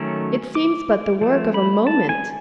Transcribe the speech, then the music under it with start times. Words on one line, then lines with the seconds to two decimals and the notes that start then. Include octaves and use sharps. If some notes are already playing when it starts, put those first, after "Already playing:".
It seems but the work of a moment.
Already playing: D#3 F#3 A3 C#4
0.55 D6
1.21 F3 A3
1.54 B5
1.87 A5
2.09 G#5